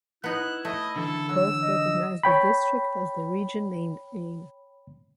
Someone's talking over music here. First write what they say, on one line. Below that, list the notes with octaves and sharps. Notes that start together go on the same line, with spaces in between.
Both recognize the district as the region named Ayn.
B3 D#4 E4 F#6
A3 D#5
D3 E3 A4
F#3 E6
D#5
C#5 G5 B5